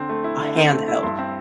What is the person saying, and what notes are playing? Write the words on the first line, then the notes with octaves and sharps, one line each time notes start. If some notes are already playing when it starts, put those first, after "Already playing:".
a handheld,
Already playing: D3 C4 C6
A3
E4
D3
C4
A3
E4
G2 C6
C4